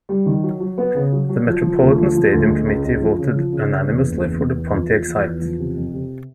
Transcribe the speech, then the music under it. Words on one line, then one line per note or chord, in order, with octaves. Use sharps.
The Metropolitan Stadium Committee voted unanimously for the Pontiac site.
G3
D#3
F#3
F#3
B3
C#3
F#3
F#3
F3
F3
D2
F3
F3
D2
G#3
C#2
C#2
F3
C#3
F3
C#3
C#3
E2
F#1
E2
E2
E2
F3
F3
E2
E2
F3
C3
F2
C3